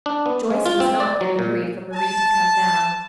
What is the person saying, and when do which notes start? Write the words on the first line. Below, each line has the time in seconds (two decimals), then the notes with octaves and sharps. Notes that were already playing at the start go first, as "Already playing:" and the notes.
Joyce was not in a hurry for Marie to come now.
0.06 D4
0.26 B3
0.50 G#3
0.66 F4
0.80 C4
1.00 D5
1.21 F#3
1.39 A#2
1.94 A5